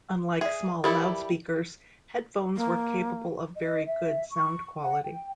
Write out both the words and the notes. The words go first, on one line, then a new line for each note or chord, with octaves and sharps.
Unlike small loudspeakers, headphones were capable of very good sound quality.
G#4 D5 E5
G3 E4 G4 A4 A#4
A#3
D#5
E5
C#6
F#5
G5